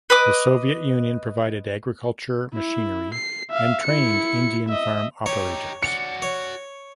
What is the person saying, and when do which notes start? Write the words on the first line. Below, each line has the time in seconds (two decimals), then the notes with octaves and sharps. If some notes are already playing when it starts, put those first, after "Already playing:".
The Soviet Union provided agriculture machinery and trained Indian farm operators.
0.10 B4 D#5 D6
2.53 E4
3.14 C7
3.51 E5 F5
3.84 E4 C#7
4.69 D#5 E5
5.26 D#4 G4 C#5
5.83 F#4 D5 C#7
6.22 C#5